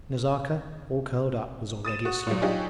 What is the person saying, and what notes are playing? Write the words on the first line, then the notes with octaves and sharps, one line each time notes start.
Nazarka, all curled up, was already asleep.
D#6 A6 D#7 E7
F#4
A#2 F#3
F#3 D4 D#4 F4 G4 G#4